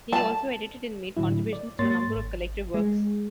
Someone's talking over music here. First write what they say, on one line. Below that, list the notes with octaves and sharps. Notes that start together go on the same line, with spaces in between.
He also edited and made contributions to a number of collective works.
A5
A2 D3 F#3 E4
D5
G#2 A#3 C#5 C6 A6
G#1
G#3